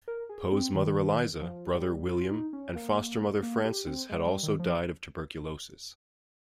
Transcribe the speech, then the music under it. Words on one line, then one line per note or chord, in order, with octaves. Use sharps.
Poe's mother Eliza, brother William, and foster mother Frances had also died of tuberculosis.
A#4
G#4
C4
D#3
F3
G3
F4
D#4
C#4
A#3
A#3
G4
C4
G#3
G3
D#3
F3